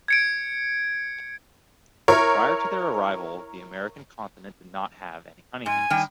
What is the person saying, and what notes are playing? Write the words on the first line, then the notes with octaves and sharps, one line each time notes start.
Prior to their arrival, the American continent did not have any honey bees.
G#6 C#7 D7
E4 A#4 C#5
G#2 G#5
D#3 G3 G5